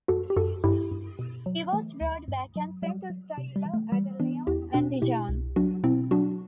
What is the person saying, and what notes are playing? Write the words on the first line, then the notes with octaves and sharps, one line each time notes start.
He was brought back and sent to study law at Lyon and Dijon.
F#2 F#4 A4
G4
F#2 F#4 A4
G2 E4 G4
G2
B2
F#3
E3 A3
D2
G2
F#3
F#3 G3
F#3
C3
G3
E3
A3
E3 G3
E3 B3 D4
E2 E4 G4
B2 D4 F#4
B2 E4 G4
C2
F#3 D4 F#4
B2 C4 E4
F#3 D4 F#4